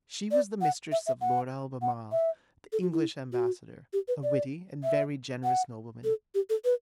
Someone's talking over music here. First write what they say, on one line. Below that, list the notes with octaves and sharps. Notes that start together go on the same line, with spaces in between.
She was the mistress of Lord Albemarle, the English ambassador, a witty and very generous nobleman.
D5
F#5
E5
E5
F#5
F#5
E5
A4
F#4
E4
F#4
G4
B4
D5
E5
F#5
A4
G4
A4
B4